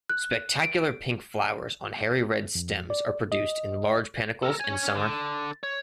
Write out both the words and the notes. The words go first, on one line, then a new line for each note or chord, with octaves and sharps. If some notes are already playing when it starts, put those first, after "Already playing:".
Spectacular pink flowers on hairy red stems are produced in large panicles in summer.
F#6
D7
F2
D5
D#5
A4 A#4
C#5 G#5
D3
C#5